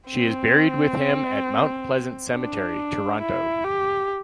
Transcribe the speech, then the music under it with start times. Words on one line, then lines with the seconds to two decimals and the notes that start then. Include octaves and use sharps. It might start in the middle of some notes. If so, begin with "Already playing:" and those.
She is buried with him at Mount Pleasant Cemetery, Toronto.
0.10 C4
2.32 D4
3.21 E4
3.64 G4